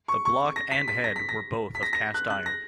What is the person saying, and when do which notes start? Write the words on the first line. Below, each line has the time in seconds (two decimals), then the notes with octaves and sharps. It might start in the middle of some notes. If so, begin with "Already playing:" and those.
The block and head were both of cast iron.
0.08 C#6
0.25 C#6
0.56 A#6
0.72 B6
0.88 B6
1.04 A#6
1.16 B6
1.29 A#6
1.75 B6
1.83 A#6
1.93 A#6
2.14 F#6
2.30 F#6
2.46 A#6